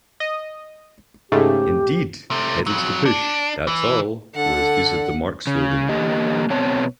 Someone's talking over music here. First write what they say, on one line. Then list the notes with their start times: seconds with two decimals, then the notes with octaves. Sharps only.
Indeed, "Pedals to push, that's all" was used as the marque's slogan.
0.20 D#5
1.32 G#2 C#3 A3 G4
2.31 C3 A3
2.66 F2 F#3
3.05 D4
3.67 E3
4.36 D3 A4 F#5
5.47 C#3
5.89 E2 D3 A#3 G4 D#5
6.50 B2 B3 C4 C#5 A5